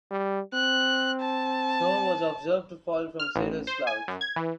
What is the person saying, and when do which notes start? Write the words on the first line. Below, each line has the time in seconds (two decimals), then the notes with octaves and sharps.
Snow was observed to fall from cirrus clouds.
0.11 G3
0.54 C4 F#6
1.21 A5
3.20 F6
3.35 A1
3.67 C5
3.87 G#5
4.08 F#2
4.21 G#6
4.36 E3